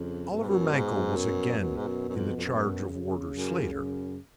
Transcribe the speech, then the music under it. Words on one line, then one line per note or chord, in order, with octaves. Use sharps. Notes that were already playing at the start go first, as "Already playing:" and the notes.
Oliver Mankell was again in the charge of Warder Slater.
Already playing: F2 C#3
F#2 B2
G#2
F#2
G#2
F#2
F#2
G#2
F#2
F#2
F2
F2
F#2 B2
C#3
F#2
F#2